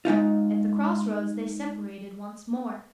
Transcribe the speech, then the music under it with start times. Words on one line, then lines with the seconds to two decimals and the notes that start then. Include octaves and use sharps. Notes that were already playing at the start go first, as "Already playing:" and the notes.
At the cross roads they separated once more.
0.05 G#3 C#4 D#4 F4